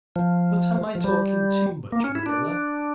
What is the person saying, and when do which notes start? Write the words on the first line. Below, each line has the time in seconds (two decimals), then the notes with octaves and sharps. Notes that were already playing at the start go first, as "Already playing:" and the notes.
But am I talking too much, Marilla?
0.16 F3
0.95 F3
1.04 G3
1.92 A#3
2.04 C#4
2.15 E4
2.26 D4